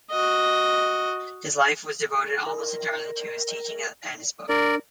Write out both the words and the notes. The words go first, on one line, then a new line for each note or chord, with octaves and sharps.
His life was devoted almost entirely to his teaching and his books.
F#4 D#5
A#4
D4 A#4 D5